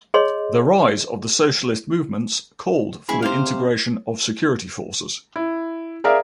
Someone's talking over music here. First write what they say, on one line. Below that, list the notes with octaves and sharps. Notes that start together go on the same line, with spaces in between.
The rise of the socialist movements called for the integration of security forces.
G#4 C#5 D#5 C6
E1 E4 G#4 B5
C3 C5 F5
E4
G#4 A#4 D5 E5 F5